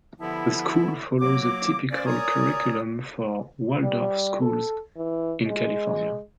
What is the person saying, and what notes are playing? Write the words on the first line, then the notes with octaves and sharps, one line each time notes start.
The school follows a typical curriculum for Waldorf schools in California.
G2 D3 F3 B3 E4
F#3 A#3 D6
A#3 C#4 C5 D5
A#4 C#5 D5 G#5 A#5 D#6
G3
A4
E3
G#3